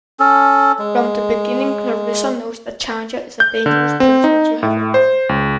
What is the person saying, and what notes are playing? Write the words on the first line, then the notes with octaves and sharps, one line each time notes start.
From the beginning, Clarissa knows that Tanja is a dangerous person to have around.
C#4 A4
G#3
G6
D3
C4
D#4
A2
C5
C#2